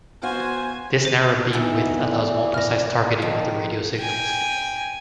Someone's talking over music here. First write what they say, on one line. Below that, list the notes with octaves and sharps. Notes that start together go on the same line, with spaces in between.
This narrow beam width allows more precise targeting of the radio signals.
B3 F#4 C5 F5 G#5
C5 D#7
E3 B3 D#4 A4
D5
F6 A#6
D#3 F3 D#5
G5 G#5